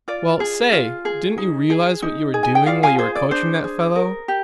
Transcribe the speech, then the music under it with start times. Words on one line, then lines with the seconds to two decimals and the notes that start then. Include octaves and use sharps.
Well, say, didn't you realize what you were doing while you were coaching that fellow?
0.08 F4 D5
0.40 G#4
0.72 F4
1.05 G#4
1.38 D#4
1.70 G#4
2.02 D#4
2.34 G#4
2.43 G#5
2.55 G5
2.66 F4 D5 F5
2.83 F5 G#5
2.98 G#4 C5
3.15 D5
3.31 D4 C5
3.64 G#4
3.96 A#4
4.28 G4